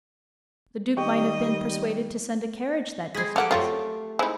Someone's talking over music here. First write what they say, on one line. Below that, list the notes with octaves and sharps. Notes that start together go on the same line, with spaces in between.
The Duke might have been persuaded to send a carriage that distance.
D#3 G3 G4 D#5 G5 C#6
G#3 C4 B5 G#6 C7
A#3 G4 A4 F#5 D6 F6 D7
F#2 F3 A3 C4 F4 A#4 C#5
G#3 C4 D#4 E4